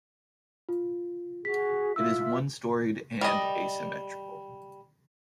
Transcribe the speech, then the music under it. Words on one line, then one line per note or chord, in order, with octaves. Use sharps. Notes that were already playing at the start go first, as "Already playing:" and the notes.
It is one-storied and asymmetrical.
F4
F#4 G#4 B6
F4 E5 E6
G3 D#5